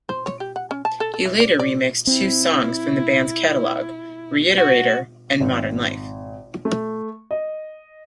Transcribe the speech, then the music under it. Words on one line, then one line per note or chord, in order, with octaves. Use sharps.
He later remixed two songs from the band's catalogue - "Reiterator" and "Modern Life".
C5
C#5
G4
F#5
C#4
A5
A4
A4
E3
D5
D5
C4 E4
F#4
G#1
A3
D#5